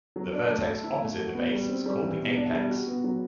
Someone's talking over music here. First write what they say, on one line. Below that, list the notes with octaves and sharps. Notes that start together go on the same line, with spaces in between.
The vertex opposite the base is called the apex.
F#3
D4
A3
A4
E4
A3
F#4
B3
G3
C4
G3
E3
B2
D4
G3
F#4
B3
F#3